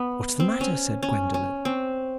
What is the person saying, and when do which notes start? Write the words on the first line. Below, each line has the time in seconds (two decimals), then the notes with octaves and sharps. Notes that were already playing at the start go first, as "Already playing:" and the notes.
"What's the matter?" said Gwendolen.
Already playing: B3
0.40 C4
0.61 C#4
1.03 C#4
1.34 C#4
1.65 C4